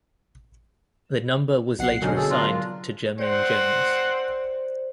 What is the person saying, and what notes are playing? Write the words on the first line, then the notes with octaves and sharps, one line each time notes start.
The number was later assigned to Jermaine Jones.
B1 F#5 C7
B2 D3 F#3 C#4 D#4 A#4
G#4 A4
D4 F4 A#4
C4 C5 D5 F#5 C6